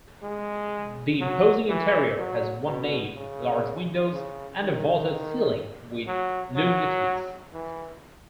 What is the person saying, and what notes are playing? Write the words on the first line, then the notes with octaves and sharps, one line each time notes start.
The imposing interior has one nave, large windows, and a vaulted ceiling with lunettes.
G#3
F#3
E3
F#3
B2
C#3
C#3
D#3
F#3
F#3
E3